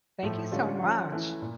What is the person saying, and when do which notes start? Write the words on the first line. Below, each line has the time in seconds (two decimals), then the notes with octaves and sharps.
thank you so much.
0.23 A2 F3 A3
0.52 D3 G3 C#4 F4
0.82 F3 C#4 F4
1.12 E3 A3 C#4 E4
1.42 A#2